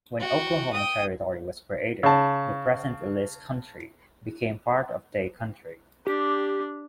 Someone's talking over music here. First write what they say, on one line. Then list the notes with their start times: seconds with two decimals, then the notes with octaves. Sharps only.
When Oklahoma Territory was created, the present Ellis County became part of Day County.
0.20 F#4 G5
0.73 G5 D#6
2.03 C#3 A5
6.07 D4 G4